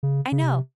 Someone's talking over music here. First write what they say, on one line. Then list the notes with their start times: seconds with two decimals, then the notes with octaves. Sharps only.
I know.
0.03 C#3
0.32 C#3
0.42 C3